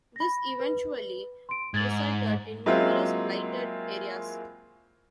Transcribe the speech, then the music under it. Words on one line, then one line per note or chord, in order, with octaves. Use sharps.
This eventually resulted in numerous blighted areas.
B5 A#6
B4
C6 D7
G#2 G#6 A6 F#7
F#3 G#3 A#3 C4 E4 F4